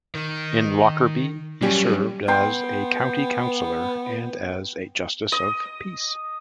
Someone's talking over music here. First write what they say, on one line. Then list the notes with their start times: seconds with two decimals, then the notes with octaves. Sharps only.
In Lockerbie, he served as a County Councillor and as a Justice of Peace.
0.15 D#3
1.62 G2 F#3 G3 C#4 G4
2.28 B3 G5 C6
5.32 D#5